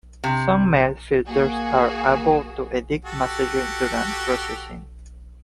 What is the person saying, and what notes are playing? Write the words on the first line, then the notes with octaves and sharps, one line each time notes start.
Some mail filters are able to edit messages during processing.
C3
A#3 F#4 G#4
F#4 G4 A4